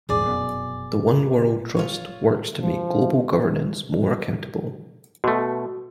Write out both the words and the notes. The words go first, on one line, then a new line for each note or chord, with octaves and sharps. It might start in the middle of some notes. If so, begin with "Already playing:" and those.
The One World Trust works to make global governance more accountable.
A#1 E2 G#2 G#4 D5
F1 F#2 B2
F4 C#5
F3
B2 A3 F#4